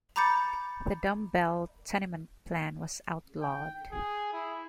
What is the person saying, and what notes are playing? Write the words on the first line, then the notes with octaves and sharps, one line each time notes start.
The Dumb-bell tenement plan was outlawed.
A#5 B5 D6 G6 A6 C#7
G5
G#4
E4